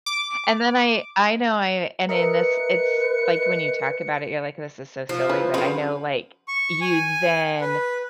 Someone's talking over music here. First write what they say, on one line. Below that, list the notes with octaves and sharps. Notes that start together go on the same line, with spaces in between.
and then I I know I and in this, it's like, when you talk about it, you're like, “This is so silly,” but I know, like, you then
D6
A#4 B4 D#5 E5 C#7
F3
E4 B4
C#3 F3 F#3 B4
C#6
G#5
B4